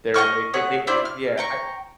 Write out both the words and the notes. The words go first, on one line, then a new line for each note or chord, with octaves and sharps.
they're they they they they yeah, I
D#5 G5 C#6 F6
A3 C#5 F#5 D#6
D4 E4 C5 D5
F6
G5 A#5 C#6